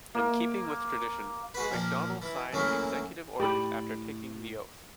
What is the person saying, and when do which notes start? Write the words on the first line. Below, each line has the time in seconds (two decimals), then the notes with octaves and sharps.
In keeping with tradition, McDonnell signed executive orders after taking the oath.
0.15 A#3
1.54 G#3 F#4 B4
1.71 A#2 F3 D4
2.22 E3
2.53 F#2 E3 F#3 A3 A#3
3.40 A2 G4 D5 B5